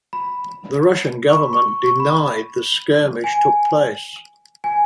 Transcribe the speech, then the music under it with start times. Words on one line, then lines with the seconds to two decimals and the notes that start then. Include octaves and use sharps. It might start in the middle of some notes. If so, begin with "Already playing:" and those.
The Russian government denied the skirmish took place.
0.13 B5
1.30 C#6
1.37 B5
1.53 C#6
1.68 C#6
1.84 C#6
2.00 B5
3.24 G#5
4.64 G#5